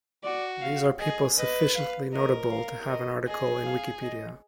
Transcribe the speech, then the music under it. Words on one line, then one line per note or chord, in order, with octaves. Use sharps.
These are people sufficiently notable to have an article in Wikipedia.
F#4 D5
F5
G#4 D#5
B4 D#5
F5
A#4 D#5
F5
D#5
G#4 D#5
F5
D#5